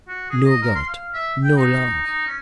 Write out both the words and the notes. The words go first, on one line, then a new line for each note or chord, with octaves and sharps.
No God! no Love!
F#4
G#4
D#5
A#4
C6
F5
E5
G5
D#4
D#4
C#4